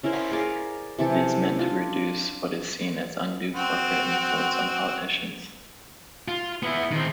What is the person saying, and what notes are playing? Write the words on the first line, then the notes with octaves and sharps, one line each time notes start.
It is meant to reduce what is seen as undue corporate influence on politicians.
C#4 E4 A#4 C5
G#4 A#4 D5 F5
C3 E3 A4
D4 F4
C4 F#4
F4
B3 E4
D#3 C4